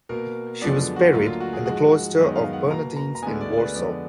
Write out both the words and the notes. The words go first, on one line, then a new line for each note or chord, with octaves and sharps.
She was buried in the cloister of Bernardin's in Warsaw.
B2 A#3 A#4
F#2 D3 F3 G#3 B3 D5
F#4
D2 D3 F#3 A#3 F4
F4
F#4
G#4
G#2 F3 G#3 F#4
F#2 D#3 G#3 B3 D#5
F5
F#5
B2 A#3 A#5
A#5
A#5
D2 D3 G#3 B3 G#5
D5
D5
B4
F2 D3 G#3 B3 D5